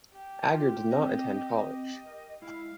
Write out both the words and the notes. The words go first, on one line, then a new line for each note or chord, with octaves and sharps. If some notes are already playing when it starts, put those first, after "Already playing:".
Ager did not attend college.
G4
F4 D6
C4 D#5
A#4
G#3 E4 F5